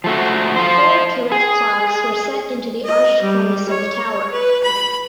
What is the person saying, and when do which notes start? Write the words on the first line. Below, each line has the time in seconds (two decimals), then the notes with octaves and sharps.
Four turret clocks were set into the arched cornice of the tower.
0.04 F3 A3 F#4
0.56 F4 C5
1.32 G#4
2.85 D#5
3.22 G3
3.69 C#5
4.32 B4
4.64 B5